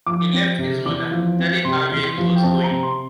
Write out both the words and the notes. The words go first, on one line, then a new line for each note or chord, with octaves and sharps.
He left his mother, telling her where he was going.
F3 D6
C4
C3
E2 D6
F3
C4
C3 C6
E2
F3
G5
C4 A5
A#5
C3
C6